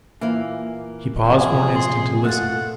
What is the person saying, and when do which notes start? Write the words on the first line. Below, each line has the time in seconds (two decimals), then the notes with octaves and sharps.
He paused for an instant to listen.
0.21 A#2 E3 A#3 E4 F5
1.29 F2 C#3 F3 G#4
1.75 C6
2.25 A3 F4 F#5